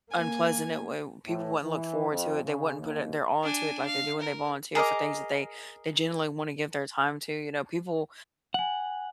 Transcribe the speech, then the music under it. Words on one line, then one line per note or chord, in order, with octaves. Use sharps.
unpleasant, it w people wouldn't look forward to it, they wouldn't put it their all into it like they do when they volunteer for things that they they generally wanna give their time to, you know, people
A#3 G#5
A2
E3
F2
C#3
D#2
D4 G#5
F5
A#4
G#4 A#4 D#5 D6
F#5 G#5 F#7